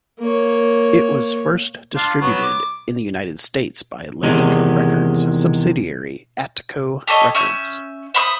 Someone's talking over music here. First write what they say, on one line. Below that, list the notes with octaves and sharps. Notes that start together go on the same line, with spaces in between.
It was first distributed in the United States by Atlantic Records subsidiary Atco Records.
A#3 C#5
D4 F4 F5
F#3 B3 F#4
D6
E2 C3 D#3 G#3
G4 A4 C#5 D#5
C#4 E5 G6
C5 E5 B5 D#6